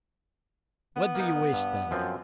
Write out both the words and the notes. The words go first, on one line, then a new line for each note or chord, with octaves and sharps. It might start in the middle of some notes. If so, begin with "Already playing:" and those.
"What do you wish, then?"
B3
A#3 D#4
G2
F#2 F3 C4